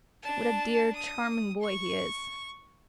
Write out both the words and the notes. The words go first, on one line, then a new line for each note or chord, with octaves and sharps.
"What a dear, charming boy he is!"
D4 A5
D#6
C#6